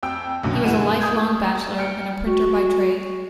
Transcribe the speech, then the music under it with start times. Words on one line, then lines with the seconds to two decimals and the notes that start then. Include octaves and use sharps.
He was a lifelong bachelor and a printer by trade.
0.03 F2 G5 E6
0.43 B1 F#2 B2 D3
0.64 G2 E3 F#5 G#5 D#7 E7
1.01 D#6 G6 G#6
1.78 G5 F6 C#7
2.27 F#4